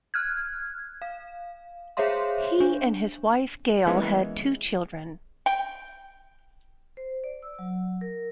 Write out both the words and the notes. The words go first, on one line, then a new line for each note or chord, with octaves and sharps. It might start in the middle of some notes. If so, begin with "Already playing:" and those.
He and his wife Gail had two children.
F6 F#6 G#6
F5
G#4 C5 C#5 E5 F5 C6
D4
E3 G#3 A#3 B3 C#4
G5
C5
D5
E6
F#3
A#4